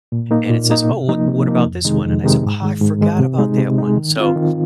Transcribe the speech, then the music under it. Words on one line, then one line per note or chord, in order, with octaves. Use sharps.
and it says, "Oh, wha what about this one?" and I said, "Oh, I forgot about that one." So,
A#2
A#3 D#4
A#2
A#3 D#4
C3
F3 A#3 D#4
C3
F3 A#3 D#4
F2
C3 D#3 G#3 D#4
F2
C3 D#3 G#3 D#4
G#2
D#3 G#3
G#2
D#3 G#3
C3
G#3 D#4
C3
G#3 D#4
D#3
C4 F4
D#3